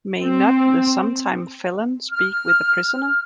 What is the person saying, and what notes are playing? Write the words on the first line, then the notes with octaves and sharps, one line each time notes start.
May not the sometime felon speak with a prisoner?
C4
F6